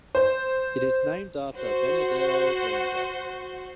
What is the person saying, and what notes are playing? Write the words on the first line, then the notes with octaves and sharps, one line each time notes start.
It is named after Benedetto Lanza.
C5
F#4 C5